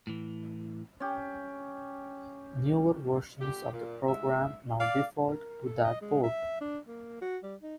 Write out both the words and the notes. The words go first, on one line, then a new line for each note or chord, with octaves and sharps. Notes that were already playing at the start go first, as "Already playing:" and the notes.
Newer versions of the program now default to that port.
A2 E3
C#4 G4
A#2 D3 G4
A#2
G#2 G#3 E5
D5 F5
A#4
A4
D#5
G#3
E5
D4
A#3
F#4
G3
D#4